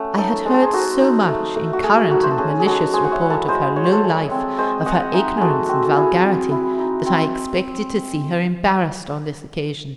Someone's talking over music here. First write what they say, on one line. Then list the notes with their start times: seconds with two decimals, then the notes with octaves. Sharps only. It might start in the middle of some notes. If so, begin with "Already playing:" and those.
I had heard so much, in current and malicious report, of her low life, of her ignorance and vulgarity, that I expected to see her embarrassed on this occasion.
Already playing: A3 C#4 F#5
0.18 D#4 A4 C#5
0.46 G#3 C5
0.54 A4
0.62 G#4 C5
0.73 D#4 F#4 A4
1.01 D#4
1.29 A3
1.56 A3
1.73 F#4
1.83 A3 G#4
2.11 D#4 F#4
2.23 C5
2.31 A4
2.38 C#4 G#4
2.60 G#4
2.66 G#3 F#4 A4
2.93 G#3 G#4 C5
3.05 F#5
3.12 C#5 E5
3.21 E4
3.30 A4 C#5
3.48 G#3 C5 D#5
3.76 G#3 C#5
3.84 C5
3.92 A4 C#5
4.04 G#3
4.31 C4
4.58 G#3 C5 D#5
4.86 G#3 D#5 F#5
5.13 D#4 E5 G#5
5.37 G#3 F#4 G#4 A4
5.69 C4 F#4
5.85 A4
5.96 E4 G#4
6.24 C4
6.51 E4
6.79 D#4
7.06 C4